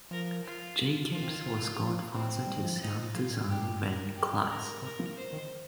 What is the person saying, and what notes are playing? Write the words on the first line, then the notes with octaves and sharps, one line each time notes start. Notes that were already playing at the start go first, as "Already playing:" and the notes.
Jacobs was godfather to sound designer Ren Klyce.
F3 A#4
F4
F3 F4
C3
D#3
C3
A#2
F3
C4
G3
D#3
F3
D#4
F3 F4
A#2
G2 G4
A#4
G4
A#4
C3 A#4
F3
C5
D#3